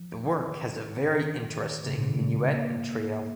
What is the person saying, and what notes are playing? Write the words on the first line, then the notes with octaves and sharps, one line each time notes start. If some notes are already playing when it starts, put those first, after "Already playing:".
The work has a very interesting minuet and trio.
Already playing: F3
D#3
D#3
C#3
A#2
C#3
D#3
G#3
A#3